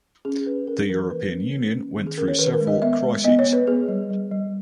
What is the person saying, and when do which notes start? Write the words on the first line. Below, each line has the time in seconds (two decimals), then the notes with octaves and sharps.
The European Union went through several crises.
0.25 C#4 G#4
0.36 G#4
0.46 C#4 B4
0.67 C#4 A#4
0.89 E3 A#4
1.10 A#3 B4
1.31 C#4
1.53 A#3
1.74 C#4
1.96 D#3
2.07 G#4
2.17 C#4 A#4
2.28 C#5
2.39 D#3 B4
2.53 A#4
2.60 G#3
2.67 D#5
2.82 B3 E5
3.03 G#3
3.24 B3 D#5
3.39 C#5
3.46 B3
3.53 B4
3.67 B3 G#4
3.88 G3
4.10 G3
4.31 G3